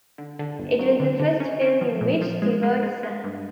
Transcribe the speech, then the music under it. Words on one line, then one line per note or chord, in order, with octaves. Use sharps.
It was the first film in which Stewart sang.
D3
D3
G1
F#3
D3
D3
C#4
C#4
F3
A#2
F3
G#3
G#3
G#3
G#3
G2